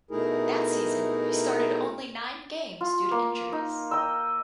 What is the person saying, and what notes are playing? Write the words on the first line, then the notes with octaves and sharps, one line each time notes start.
That season, he started only nine games due to injuries.
B2 A3 D#4 E4 G#4 A#4
F4
A#3
D#4
D#5 G5 A#5 E6